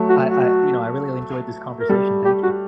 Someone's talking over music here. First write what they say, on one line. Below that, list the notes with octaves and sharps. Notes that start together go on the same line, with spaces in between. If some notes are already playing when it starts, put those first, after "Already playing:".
I I, you know, I really enjoyed this conversation, thank you.
Already playing: F#3 A3
F#4
F#4
A#4
G3 A4
G4
F#4